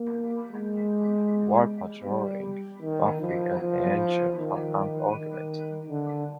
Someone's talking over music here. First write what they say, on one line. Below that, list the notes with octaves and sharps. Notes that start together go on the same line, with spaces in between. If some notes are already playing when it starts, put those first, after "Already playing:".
While patrolling, Buffy and Angel have an argument.
Already playing: A#3
G#3
G3
D#3
F3
F3
D#3
D#3
D3